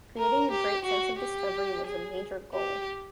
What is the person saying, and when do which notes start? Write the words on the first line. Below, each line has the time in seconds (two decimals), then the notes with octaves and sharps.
Creating a great sense of discovery was a major goal.
0.18 A#4
0.52 G4
0.85 F#4
1.19 G4
1.86 G#4
2.55 G4